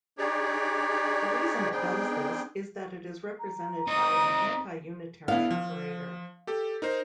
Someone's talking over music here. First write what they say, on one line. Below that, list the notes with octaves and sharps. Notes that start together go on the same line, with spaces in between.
The reason it does this is that it is represented by an anti-unitary operator.
D4 D#4 G4 G#4 C#5 D5
B3 C4 D4 D#4 G#4 G5
A#5
C4 D#4 D#6
B3 D4 E4 F5
F3
G4 A4
D#4 A#4 C5